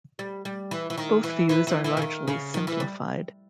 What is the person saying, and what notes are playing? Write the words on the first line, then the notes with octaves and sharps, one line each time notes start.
Both views are largely simplified.
G3
G3
E3
E3
D#3
E3
E3
E3
E3
C#3
D#3
C#3
D#3
E3
G3